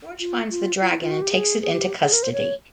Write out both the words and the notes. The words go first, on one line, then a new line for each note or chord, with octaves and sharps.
George finds the dragon and takes it into custody.
F4
F4
F4
E4
F4
F#4
G4
G#4
G#4
G4
G#4
A#4
C5
C#5